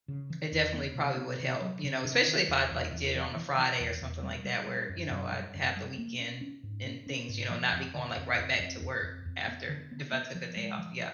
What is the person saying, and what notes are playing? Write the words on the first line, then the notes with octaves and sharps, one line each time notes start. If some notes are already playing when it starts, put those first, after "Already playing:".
it definitely probably would help, you know, especially if I'd, like, did it on a Friday or something like that where, you know, I'd have the weekend and things, you know, not be going, like, right back to work after if I took a day off. Yeah.
C#3
E3
E2
B3
C3
B3
C3
F#3
C3
C3
D#3
E2
E2
E2
E3
E3
E3
E2
E2
G3
G3
G3
F#2
F#2
G3
F#2
G3
A#3
C#4
C#4
G#2
C#4
C#4
G#2
F3
F2
D3
F2
F2
F2
F2
F2
F2
B3
D3
B3
B3
F3
G#3
F3